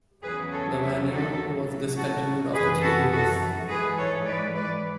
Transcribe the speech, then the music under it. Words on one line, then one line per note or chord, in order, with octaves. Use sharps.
The Vaneo was discontinued after three years.
E2 C#3 F#3 G#4 B4
A4 C#5
C#5 E5
F#4 A4
A2 F#3
F#4 A4
F#2 E3 G#4 B4
F#4 A4
F#4 A4
G#2 E3 G#4 B4
A4 C#5
B4 D5
B4 D5